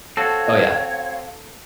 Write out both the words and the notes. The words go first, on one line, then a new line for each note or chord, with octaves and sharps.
Oh, yeah.
C4 F#4 A4 C#5 F5